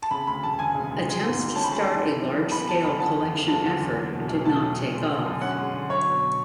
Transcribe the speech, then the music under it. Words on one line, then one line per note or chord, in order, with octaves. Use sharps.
Attempts to start a large scale collection effort did not take off.
A5
C#3 B5
D2 B5
E1 A5
E1 G#5
C#3
D2
G#3
G#2
G#1
C#4 A5
B5
G#3 A5
G#2
E3
F#2
F#1
B3 B5
E3 A5
F#2 B5
D3 A5
E2
F#1
F#1 A5
D3
E2
F#3
B2
B1
A3 A5
F#3
B2
G#3
D3
F#2
C#4 F#5
G#3
D3
F#3 C#5
B2